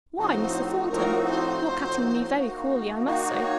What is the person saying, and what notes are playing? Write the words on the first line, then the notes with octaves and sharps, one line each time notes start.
'Why, Mr. Thornton you're cutting me very coolly, I must say.
A2 F3 C4 D#4 F#4 C5
A2 F3 C4 D#4 F#4 A#4
C5
A2 F3 C4 D#4 F#4
D#3 A#3 D#4 F#4
D#3 A#3 D#4 F#4
C#5